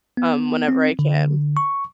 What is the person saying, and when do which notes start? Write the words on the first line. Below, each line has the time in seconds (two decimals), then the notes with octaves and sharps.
um, whenever I can.
0.17 B3
0.68 C4
0.99 D3
1.57 C#6